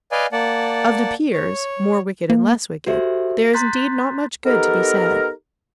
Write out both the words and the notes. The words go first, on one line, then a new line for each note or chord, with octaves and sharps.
Of the peers, more wicked and less wicked, there is indeed not much good to be said.
B4 D5 D#5 F5 G#5
A#3 D5 F#5 A5
C#5
A#3
F#4 G4 A4 C5 E5
A#5 C6 F#6 G6 A6 B6
B3 D#4 G4 A4 A#4